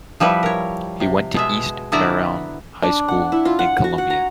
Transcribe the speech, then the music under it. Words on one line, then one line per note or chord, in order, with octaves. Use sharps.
He went to East Marion High School in Columbia.
F3 G3 E4 B4
A#4 C#5
C3
B2 G#3 E5
D3 B3 E4 F#4 D5 A#5
D4
F#5
E4
F4
F#5
F#4
F#5
A#5